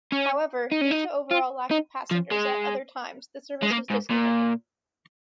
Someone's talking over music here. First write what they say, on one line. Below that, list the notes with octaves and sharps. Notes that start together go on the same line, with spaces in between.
However, due to overall lack of passengers at other times the service was discontinued.
C#4
D#4
C#4
D#4
F4
D#4
F3
G#3
G#3
A#3
G#2
A#2